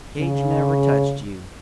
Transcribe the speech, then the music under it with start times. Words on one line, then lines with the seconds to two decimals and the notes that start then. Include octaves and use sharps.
Cage never touched you!
0.18 C#3